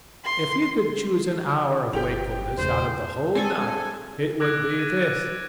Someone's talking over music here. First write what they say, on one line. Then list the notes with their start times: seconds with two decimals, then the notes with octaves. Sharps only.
If you could choose an hour of wakefulness out of the whole night, it would be this.
0.25 C6
1.93 G1 F3 G4 G5 F7
2.58 E2 C#3 A3 C5
3.35 C4 D4 G#4 A4 G#5
4.40 D6 E6 F#6 G#6 A#6 D7
4.79 A6 D#7